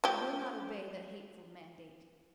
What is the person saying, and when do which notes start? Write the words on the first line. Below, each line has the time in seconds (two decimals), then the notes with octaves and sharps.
I will not obey the hateful mandate!
0.04 F3 G4